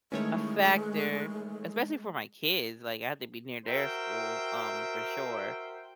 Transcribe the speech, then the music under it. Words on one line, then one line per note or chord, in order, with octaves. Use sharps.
a factor, especially for my kids, like, I have to be near their school, um, for sure.
D#3 E3 G#3 A3 C#4 C#5
F#4 A#4 C5 E5 G5